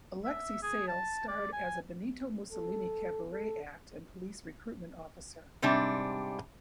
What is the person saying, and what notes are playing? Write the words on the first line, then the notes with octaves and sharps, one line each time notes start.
Alexei Sayle starred as a Benito Mussolini cabaret act and police recruitment officer.
E5
G#4
A5
D5
G#5
A4
A4
G#2 C3 G3 D4